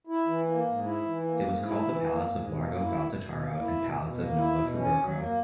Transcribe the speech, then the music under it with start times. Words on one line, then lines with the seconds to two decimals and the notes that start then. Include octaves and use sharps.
It was called the Palace of Largo Valdetaro and Palace of Nova Friburgo.
0.07 E4
0.26 E3
0.47 A#3
0.66 G#2
0.85 E4
1.05 E3
1.25 A#3
1.43 G#2
1.63 E4
1.83 E3
2.03 A#3
2.23 G#2
2.42 B2
2.62 A#3
2.81 E4
3.00 B2
3.20 B2
3.40 A#3
3.60 E4
3.80 B2
3.98 B2
4.18 A#3
4.38 E4
4.57 B2
4.77 C#4
4.97 F#3
5.17 A#3